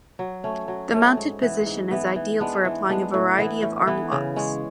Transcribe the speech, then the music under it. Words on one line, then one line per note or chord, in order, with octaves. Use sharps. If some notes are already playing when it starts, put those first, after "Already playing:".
The mounted position is ideal for applying a variety of armlocks.
F#3
A3 C#4
F#3
A3 C#4
G#2
E3 B3
G#2
E3 B3
E3
G#3 B3 D4
E3
G#3 B3 D4
A2
E3 B3 E4
A2
E3 B3 E4
C#3
G#3 C#4